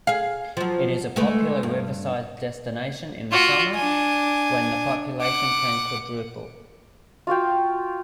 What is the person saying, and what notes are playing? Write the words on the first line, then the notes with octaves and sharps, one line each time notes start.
It is a popular riverside destination in the summer, when the population can quadruple.
G#4 F5
F3 F#3
G#3 A3 B4
G2
F4 F#4
D4 G#5
F#5 D6
F4 F#4 F5 G5